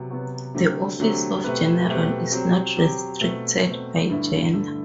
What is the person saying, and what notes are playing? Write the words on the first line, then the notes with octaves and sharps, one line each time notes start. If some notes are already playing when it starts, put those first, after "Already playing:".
The office of General is not restricted by gender.
Already playing: C3 F#3 B3 F#4
C3 F#3 B3 F#4
D3 F#3 A3 C4 G4
D3 F#3 A3 C4 G4
B2 A3 C4 G4 B4
B2 A3 C4 G4 B4
F#3 C4 G4
F#3 C4 G4
B2 A3 C4
B2 A3 C4
G2 D3 A3 E4
G2 D3 A3 E4